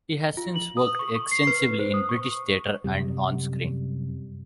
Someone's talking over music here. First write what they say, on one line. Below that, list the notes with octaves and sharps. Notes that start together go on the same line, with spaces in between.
He has since worked extensively in British theatre and on screen.
F4
F#7
D#6
C#6
C#6
C7
B4
C5
D#6
C#6
F#2 C3 G3